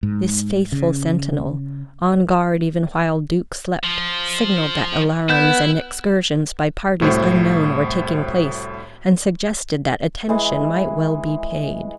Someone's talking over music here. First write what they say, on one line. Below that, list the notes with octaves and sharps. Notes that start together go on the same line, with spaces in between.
This faithful sentinel, on guard even while Duke slept, signalled that alarums and excursions by parties unknown were taking place, and suggested that attention might well be paid.
G#2
C#3
F3
B3 E4 G6
C2 A2 F#4 C5
E3 G#3